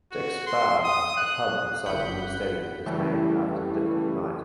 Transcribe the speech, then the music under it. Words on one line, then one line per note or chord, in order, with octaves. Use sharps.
"Dick's Bar" a pub inside the new stadium is named after Dick Knight.
F#4
C6
D#6
F#6
G1 F#5 B5 G6
C#3 E3 G3 A3